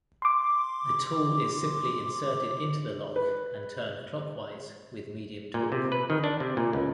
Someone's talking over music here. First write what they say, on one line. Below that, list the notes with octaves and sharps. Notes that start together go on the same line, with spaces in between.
The tool is simply inserted into the lock and turned clockwise with medium torque.
C6 D6
B4
A#2
C3
B4
D#3
D4
C3
A#2
C#2